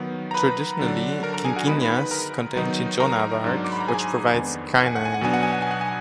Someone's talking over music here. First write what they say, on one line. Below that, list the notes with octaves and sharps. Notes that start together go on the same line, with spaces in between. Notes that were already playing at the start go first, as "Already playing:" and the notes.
Traditionally quinquinas contain cinchona bark, which provides quinine.
Already playing: D#3 F#3 B3
A#5
B4 B5
D3 F#3 D4
A#4 A#5
A#4 A#5
G#4 G#5
F#4 F#5
D#3 G#3 B3 D#4 B4 B5
B4 B5
B4 B5
A#4 A#5
D#3 F#3 B3 D#4
A#4 A#5
G#2 F#3 D4
D6
B5
A#5
G#4 G#5
F2 D#3 G#3 B3 D4
F#5
G#5
F#5
G#5
F#5
B2 F#3 B3 D4 G#5
F#5
G#5
F#5
G#5
F#5
G#5